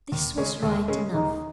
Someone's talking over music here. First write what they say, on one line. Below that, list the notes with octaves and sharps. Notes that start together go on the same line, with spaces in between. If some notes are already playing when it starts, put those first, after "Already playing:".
This was right enough.
D#2
C#3 G#3 C#4
D#2
C#3 G#3 C#4
D#2 D#4